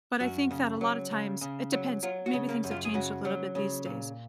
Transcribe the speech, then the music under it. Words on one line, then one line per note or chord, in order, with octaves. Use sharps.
But, I think, that a lotta times it depends. Maybe things have changed a little bit these days.
F#2 F#4
C#3
F#3
C#3
C#3
F#3
F#3 F4
F#4
C#3
A#3
F#2
F4
G#4
C#3 F#4
F#3
C#3
A#2